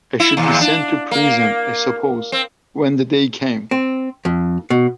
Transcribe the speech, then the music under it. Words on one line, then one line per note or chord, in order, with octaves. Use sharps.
I should be sent to prison, I suppose, when the day came.
E4
D#2
D4
A#3
C4
C4
F2
B2